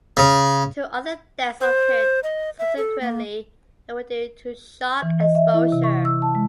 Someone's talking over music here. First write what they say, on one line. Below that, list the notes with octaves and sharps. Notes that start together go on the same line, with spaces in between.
Two other deaths occurred subsequently and were due to shock and exposure.
C#3
C5
D#5
E5
A4
A#3
E3
D#5
E5
E4
C3
C#6
E6
A5
G#3